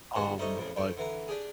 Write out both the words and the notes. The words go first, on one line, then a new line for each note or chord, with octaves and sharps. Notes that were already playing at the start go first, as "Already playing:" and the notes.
um, but
G2 C#3 F#4 G#4 B4
G3 A3 D#4 C5 C#5 D#5
A1 F2 C#3
F2 C#5 G5
D3 E3 A#5
D4 G4 G#4